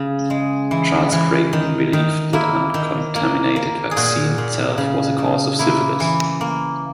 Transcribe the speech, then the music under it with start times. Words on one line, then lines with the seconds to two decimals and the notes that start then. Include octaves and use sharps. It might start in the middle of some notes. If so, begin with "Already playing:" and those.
Charles Creighton believed that uncontaminated vaccine itself was a cause of syphilis.
Already playing: C#3
0.30 G#3
0.71 E3
1.12 E3
1.53 D#3
1.93 D#3
2.33 A#3 E4
2.74 D#3
3.16 A#3
3.56 A#3
3.91 G#4
3.97 A#2 F#4
4.38 A#2
4.78 C#3
5.18 C#3
5.59 A#3 E4
6.00 E3
6.41 A#3